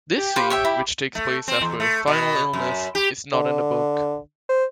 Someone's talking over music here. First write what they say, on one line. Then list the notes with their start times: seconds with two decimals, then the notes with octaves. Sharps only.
This scene, which takes place after her final illness, is not in the book.
0.18 G4
0.36 B4 C5 F5
0.50 C#5 E5 G5
0.65 E4 B5
1.15 A3
1.48 C4
1.61 E2
1.80 A3
2.07 B2
2.53 F#2
2.95 G4
3.33 D3
4.49 C5